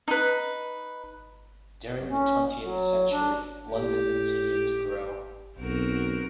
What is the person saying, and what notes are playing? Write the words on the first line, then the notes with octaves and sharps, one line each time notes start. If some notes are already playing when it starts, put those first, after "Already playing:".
During the twentieth century, London continued to grow.
D#4 B4
F#2
C#4
F#3
D4
A2 G4
B1 C4 F#4 A#4